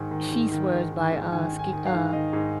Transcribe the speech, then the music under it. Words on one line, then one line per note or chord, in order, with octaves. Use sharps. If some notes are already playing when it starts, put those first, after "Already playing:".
she swears by, uh, ski uh,
Already playing: G#2 D#3
D#3
G#2
D#3
G#2
D#3
G#2
D#3 G#5
G#2
G#5
D#3
F5
G#2
D#3 D#5
G#2